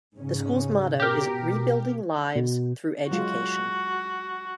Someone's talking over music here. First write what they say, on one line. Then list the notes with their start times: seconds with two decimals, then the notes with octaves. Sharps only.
The school's motto is Rebuilding Lives Through Education.
0.17 G#2 C#3 C#4
1.00 B2 G4 A#4
2.36 B2
3.11 F#3 G#3 F4 F#4